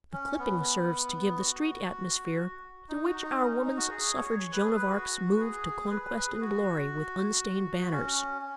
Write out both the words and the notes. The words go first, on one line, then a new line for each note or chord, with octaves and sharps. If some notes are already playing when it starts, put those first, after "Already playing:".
The clipping serves to give the street-atmosphere through which our Woman's Suffrage Joan of Arcs move to conquest and glory with unstained banners.
C#4
B3
F#4
D#4
F#4
D#4
C#4
D#4
D#4
F#4
G#4
C#5
C#5
B4
G#4
B4
F#4
B4
G#4
B4
B4
B4
G#4
F#4
C#4
C#4